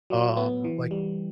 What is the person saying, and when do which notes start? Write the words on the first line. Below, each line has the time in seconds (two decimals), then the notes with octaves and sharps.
um, like,
0.10 F#3
0.37 B3
0.64 E3
0.91 G3